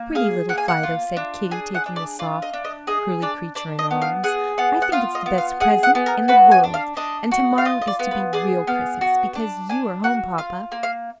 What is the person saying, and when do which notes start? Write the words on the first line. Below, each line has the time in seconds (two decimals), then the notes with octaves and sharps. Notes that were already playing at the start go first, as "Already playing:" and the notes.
"Pretty little Fido," said Kitty, taking the soft, curly creature in her arms; "I think it's the best present in the world, and to-morrow is to be real Christmas, because you are home, papa."
Already playing: A#3
0.15 G#4 F5
0.49 A#3 F#5
0.58 G#5
0.68 F#5
0.83 F4
1.17 D4
1.51 G#4 G#5
1.75 F#5
1.86 D4
1.96 D5
2.19 F4 D5
2.42 D#5
2.53 D4
2.65 D#5
2.87 G#4 D#5
3.22 D4 D5
3.55 D4 D5
3.79 D#5
3.91 B3
4.02 F5
4.24 G#4 F#5
4.58 B3 F#5
4.82 F#5
4.92 F4 F5
5.15 D#5
5.26 B3
5.38 F5
5.60 G#4 F#5
5.83 F#5
5.95 B3
6.06 A#4
6.28 F#4 B4
6.51 G#5
6.64 D4
6.74 F5
6.97 D4 D#5
7.32 F#4
7.58 F5
7.65 F4 D#5
7.81 D#5
7.87 D5
7.99 B3
8.11 B4
8.33 G#4 D5
8.67 B3 F5
9.01 F#4
9.35 D4
9.69 D4 G#5
10.04 F#4 F#5
10.38 F4 F5
10.72 A#3
10.83 F5